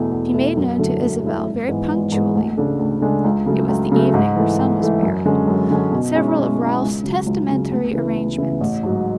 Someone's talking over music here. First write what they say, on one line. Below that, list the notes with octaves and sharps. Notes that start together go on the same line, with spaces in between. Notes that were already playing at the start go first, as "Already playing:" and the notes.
She made known to Isabel very punctually--it was the evening her son was buried--several of Ralph's testamentary arrangements.
Already playing: E2 B2 A3 E4
E2
B2 A3 E4
F#2
D3 F#3 A3 E4
F#2
D3 F#3 A3 E4
G#1
G#2 E3 G#3 B3
G#1
G#2 E3 G#3 B3
D2
C#3 G#3 D4 A4
D2
C#3 G#3 D4 A4
C#2
C#3 F#3 A3
C#2
C#3 F#3 A3
G#2
E3 A3
G#2
E3 A3
F#2
D3 G#3 C#4
F#2
D3 G#3 C#4
B2
G#3 C#4 E4
B2
G#3 C#4 E4
C#2
C#3 F#3
C#2
C#3 F#3
D2
C#3 E3 B3 E4
D2
C#3 E3 B3 E4
A1
G#2 F#3